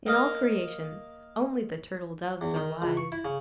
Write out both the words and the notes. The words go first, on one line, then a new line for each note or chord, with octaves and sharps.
In all creation, only the turtle-doves are wise.
A#3 D#5 F5
E2
D#3
C#2
C#6
E4
C#3